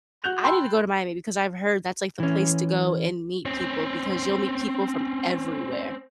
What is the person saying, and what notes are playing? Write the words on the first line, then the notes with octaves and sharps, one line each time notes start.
I need to go to Miami because I've heard that's, like, the place to go and meet people because you'll meet people from everywhere.
F#4 F#6 G6 F7
G5 A5 B5 C6 E6
E3 C#4
C4 C#4